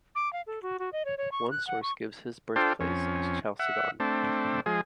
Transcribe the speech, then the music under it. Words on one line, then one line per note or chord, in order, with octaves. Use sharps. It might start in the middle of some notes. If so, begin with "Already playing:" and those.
One source gives his birthplace as Chalcedon.
D6
F5
A4
F#4
F#4
D#5
C#5
C#5
C#6
F#6
F#5
C#6
D4 F4 A4 C5 G5
F2 C#4
E5 F#5
A3 C4 D4
F3 G#3 G#4